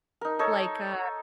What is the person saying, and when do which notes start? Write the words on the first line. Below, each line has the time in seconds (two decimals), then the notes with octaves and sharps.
like, uh
0.21 D#4 A#4
0.39 D#4 A4 C#5